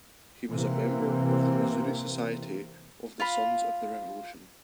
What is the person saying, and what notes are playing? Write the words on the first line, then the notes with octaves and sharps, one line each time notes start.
He was a member of the Missouri Society of the Sons of the Revolution.
C3 E3 A#3 C4
F4 F5 B5